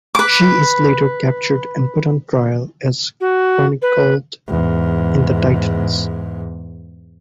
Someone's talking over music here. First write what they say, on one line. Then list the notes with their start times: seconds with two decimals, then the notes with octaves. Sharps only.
She is later captured and put on trial, as chronicled in "The Titans".
0.15 B4 D6
3.20 F#4
3.81 B4
4.48 E2 G#2